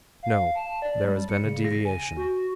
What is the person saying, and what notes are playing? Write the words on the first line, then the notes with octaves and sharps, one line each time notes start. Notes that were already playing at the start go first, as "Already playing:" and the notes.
No, there has been a deviation.
F5
A5
D5
G3
C#7
C#3
A#6
G#5
F#4